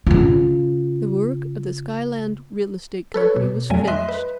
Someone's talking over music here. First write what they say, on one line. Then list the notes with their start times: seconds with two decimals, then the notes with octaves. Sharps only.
The work of the Skyland Real Estate Company was finished.
0.07 C#3 F4
3.14 A4 B4 C#5
3.36 B2
3.70 F2 F#3 G3 A3 G#5
3.87 D#5 E5 C6 F#6
4.09 B4